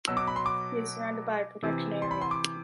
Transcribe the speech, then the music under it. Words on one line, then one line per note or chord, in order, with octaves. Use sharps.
He is surrounded by a protection area.
B2 F#3 E6
D6
B5
C6
D6
C3 E3
C6
B5
C6
D6